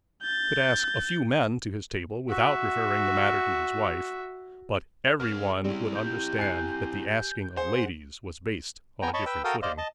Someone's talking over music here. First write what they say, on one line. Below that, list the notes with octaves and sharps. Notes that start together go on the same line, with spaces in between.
He could ask a few men to his table without referring the matter to his wife; but every one would understand that the asking of ladies was based on a different footing.
G6 A6
F#4 E5
C#3 A#4 F#5 F6
G3 C4 E4
G4 G6
G#5 F#6 C7
G#4 C5 F#5
B3 G5 G#5 A#5
C#5 D#5 A5 B5 C#6
B4 G5 E6
F#4 A4 A#4 F5 G5 D#6
C5 D5 D#5 F5
D#5 A5